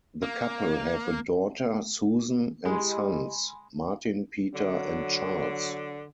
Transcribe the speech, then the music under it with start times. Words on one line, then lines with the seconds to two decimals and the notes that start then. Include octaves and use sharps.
The couple have a daughter Susan, and sons; Martin, Peter and Charles.
0.22 A#3
2.65 G#3 E4 G4 D#5 G#5 B5 C6
4.55 D3 F#3